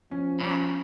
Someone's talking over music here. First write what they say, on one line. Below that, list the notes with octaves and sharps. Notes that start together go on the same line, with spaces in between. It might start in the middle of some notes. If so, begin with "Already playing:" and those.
at n
F3 C#4
C#4